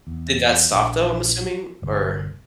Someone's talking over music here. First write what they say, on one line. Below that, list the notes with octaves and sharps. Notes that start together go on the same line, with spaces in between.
Did that stop, though, I'm assuming? Or...
E2
A#1 D4
G1 C2